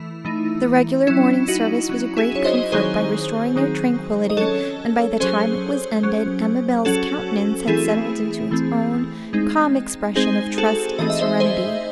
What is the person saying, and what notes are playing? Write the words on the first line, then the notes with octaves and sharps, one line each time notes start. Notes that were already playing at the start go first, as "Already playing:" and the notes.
The regular morning service was a great comfort, by restoring their tranquillity, and by the time it was ended, Amabel's countenance had settled into its own calm expression of trust and serenity.
Already playing: E3 A3 E4
E3 A3 D#4
F#3 C#4 E4
D#4 F#4
F#3 C#4
E4 G#4
C#5
C5 D#5
D#3 F#3 C4 D#4 G#4 C5
D#3 F#3 C4 D#4
D#5
F#3 C#4 A4 C#5
F#3 C#4 G#4 C5
F#3 C#4
F#3 C#4 F#4 A4
E3 A3 C4 E4 G#4
E3 A3 C4
G#3 C4 D#4
G#3 C4 D#4 G#4 C5
F#4 A4
E3 A3 C4 D#4 D#5
E5
C5 D#5
G#4 C5